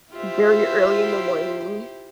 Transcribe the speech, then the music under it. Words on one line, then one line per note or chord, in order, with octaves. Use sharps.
Very early in the morning.
E4 F4 G4 C5 E5